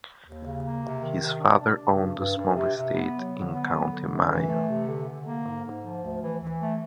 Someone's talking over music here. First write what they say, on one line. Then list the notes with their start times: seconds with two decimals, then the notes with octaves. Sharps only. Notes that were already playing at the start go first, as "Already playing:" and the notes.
His father owned a small estate in County Mayo.
0.24 D#2
0.44 C#3
0.64 A#3
0.83 C3
1.02 D#3
1.21 C3
1.40 D4
1.60 D4
1.79 C#3
1.98 G2
2.18 G2
2.37 G2
2.56 C3
2.75 C3
2.95 B3
3.14 F#3
3.33 D3
3.53 B3
3.72 F#3
3.91 D3
4.11 F#2
4.29 E3
4.49 A3
4.69 C3
4.88 D3
5.07 D3
5.26 A#3
5.45 G#2
5.65 G#2
5.84 F3
6.03 D2
6.22 E3
6.42 E3
6.61 A3